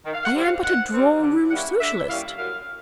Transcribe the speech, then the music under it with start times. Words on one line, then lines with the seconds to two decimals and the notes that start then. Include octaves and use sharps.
I am but a drawing-room Socialist.
0.05 D#3
0.13 F5
0.24 F#5
0.34 G3 C4
0.44 F5
0.63 D#3 F#5
0.92 G3 C4
1.21 D3
1.50 G3 A#3 C#4 E4 F#5
1.80 D3 E5
2.09 G3 A#3 C#4 E4 F5
2.38 F#2 F5